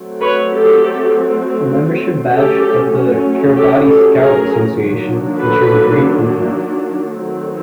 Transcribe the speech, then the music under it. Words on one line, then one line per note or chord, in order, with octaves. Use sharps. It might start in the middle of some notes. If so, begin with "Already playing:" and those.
The membership badge of the Kiribati Scout Association features a green coconut.
Already playing: F#3 A3 C4
B4 C#5
G4 A4
F#3 A3 C#4 G4 A4
G4 A4
G4 A4
G#4 A#4
D#3 F#3 A#3 D4
A4 B4
D#3 F#3 A3 C4